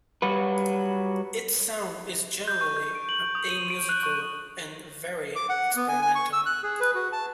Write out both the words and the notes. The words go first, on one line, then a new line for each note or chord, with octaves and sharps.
Its sound is generally amusical, and very experimental.
F#3 G3 F#4 B4
G6
C#6
G6
D7
F#7
D#6
D#7
D7
F#6
C#6
D6
F#5
B3
G#5
G#5
C#6
E6
F#6
G#4
B4
F#4
A5